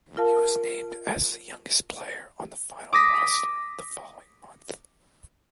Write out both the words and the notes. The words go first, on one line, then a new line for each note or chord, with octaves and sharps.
He was named as the youngest player on the final roster the following month.
F4 A#4 F5 A5
D6 D#6 A#6 B6